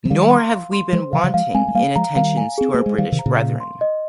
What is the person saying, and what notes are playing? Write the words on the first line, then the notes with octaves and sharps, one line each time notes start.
Nor have We been wanting in attentions to our British brethren.
F3
D#3 G3 F5
C6
F5
C6
F3 G#3 C5
C#3 F3 F5
C#3 F3
F3 G#3 F5
G#3 C4 G#5
G#3
G3 A#3 F5
F3 G#3 A#5
D#3 G3 F5
G#5
C4 G#4
A#3 C5
G#3
D#3 G3 F5
C3 D#3
A#5
A#2 C#3
F5
C6
D#5